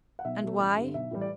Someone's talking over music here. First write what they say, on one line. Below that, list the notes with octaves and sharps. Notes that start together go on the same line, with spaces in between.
And why?
F#5
B1 E5
B2 A3
A1
G2 D3
B1 E5
A2 E3 G3
D5